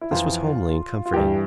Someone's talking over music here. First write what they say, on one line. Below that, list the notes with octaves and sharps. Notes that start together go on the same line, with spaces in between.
This was homely and comforting.
E4
F2 E3 F4
F4
G2 E3 G4